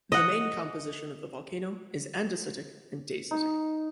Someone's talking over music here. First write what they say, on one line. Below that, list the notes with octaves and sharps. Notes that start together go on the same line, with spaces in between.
The main composition of the volcano is andesitic and dacitic.
D#5 F#5
D#4